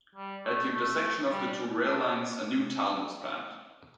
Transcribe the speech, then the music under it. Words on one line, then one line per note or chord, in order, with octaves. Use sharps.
At the intersection of the two rail lines, a new town was planned.
G3
A3
A3
G3
D4